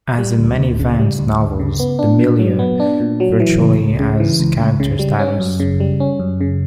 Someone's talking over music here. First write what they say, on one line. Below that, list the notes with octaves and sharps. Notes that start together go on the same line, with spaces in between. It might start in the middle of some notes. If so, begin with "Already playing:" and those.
As in many Vance novels, the milieu virtually has character status.
G3
D2
D2
C#3
G3
D2
D2
C#3
B3
D4
A#2
F#3
B3
D4
A#2
F#3
E3
C#2
C#2
C#3
E3
C#2
C#2
C#3
G3
C#4
F#2
C#3
G3
C#4
F#2
C#3